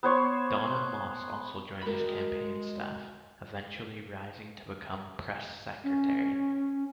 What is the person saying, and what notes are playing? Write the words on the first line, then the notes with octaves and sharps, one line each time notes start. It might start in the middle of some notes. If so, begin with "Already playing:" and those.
Donna Moss also joined his campaign staff, eventually rising to become press secretary.
B3 C5 C#5
G#3 F#4 A#4 B5
C#4